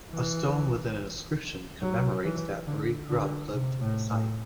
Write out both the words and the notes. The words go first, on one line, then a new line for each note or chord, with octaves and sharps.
A stone with an inscription commemorates that Marie Grubbe lived at the site.
E3
F#3
E3
D3
D3
C3
A2
A2